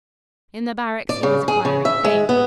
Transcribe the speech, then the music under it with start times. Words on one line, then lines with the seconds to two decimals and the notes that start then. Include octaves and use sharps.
In the barracks he was acquiring fame.
1.09 D5
1.23 C#3
1.48 G#4
1.65 C#3
1.85 E5
2.04 G#3
2.29 B3